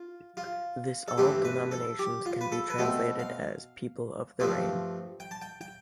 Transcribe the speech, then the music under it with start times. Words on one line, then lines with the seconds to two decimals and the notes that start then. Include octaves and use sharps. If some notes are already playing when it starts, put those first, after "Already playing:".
This all denominations can be translated as 'people of the rain'.
Already playing: F4
0.37 F4
1.08 A4
1.18 G2 E3 A3 C4 G4
1.45 B4
1.71 A4
1.99 G4
2.26 F4
2.41 B4
2.52 A4
2.70 B4
2.78 B2 A3 C4 A4
3.19 F5
4.40 G2 F3 A3 C4
5.20 G5
5.31 A5
5.42 G5
5.61 G5